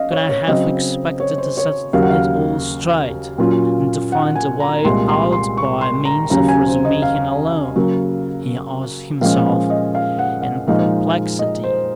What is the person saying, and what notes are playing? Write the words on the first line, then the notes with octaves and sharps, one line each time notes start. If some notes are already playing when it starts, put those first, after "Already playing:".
"Could I have expected to set it all straight and to find a way out by means of Razumihin alone?" he asked himself in perplexity.
Already playing: C#4 D#5 F5
C#5
C#5
C#3 F#3 C4 D#5
C#5
C5
C#5
D#2 C#3 F#3 A#3 F5
F#5
F5
A#2 F#3 C#4 F4
F#5
G#5
A#5
C2 A#2 G#3 C6
C6
C6
C#6
C6
A#5
D#2 C#3 F#3 C#4 A#5
G#5
C5
D#5
F5
C#3 F#3 A#3
A#2 F3 G#3 C#4 F5
D#5
F5
F#5
F#5
A#2 F3 G#3 D#4 F5
D#5
C5